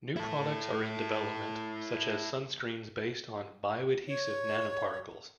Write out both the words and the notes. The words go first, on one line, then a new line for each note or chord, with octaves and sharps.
New products are in development such as sunscreens based on bioadhesive nanoparticles.
E4 A4
C#5